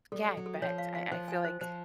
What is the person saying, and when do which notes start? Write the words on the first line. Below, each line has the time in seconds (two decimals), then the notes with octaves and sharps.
Yeah, I bet, I I feel like
0.12 G3 A4
0.29 A4
0.37 F#3
0.46 A4
0.62 F3 C#5
0.78 F5
0.95 F5
1.12 F3 C5
1.28 G#5
1.45 C5
1.61 F3 C5